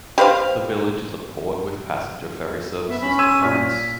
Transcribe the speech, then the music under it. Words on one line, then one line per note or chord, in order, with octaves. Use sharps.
The village is a port with passenger ferry services to France.
G4 B4 C5 F5
B3 E5
C#4 B5
C6 E6 G#6 D#7
A#2 F6 B6